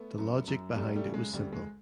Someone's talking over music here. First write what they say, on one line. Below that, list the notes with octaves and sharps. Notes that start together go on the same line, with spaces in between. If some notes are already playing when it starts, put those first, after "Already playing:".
The logic behind it was simple.
Already playing: A3 B3
F#2
F#2
F#2 G3 A3
G3 A3
C#3
G#3
D2 G3
G#3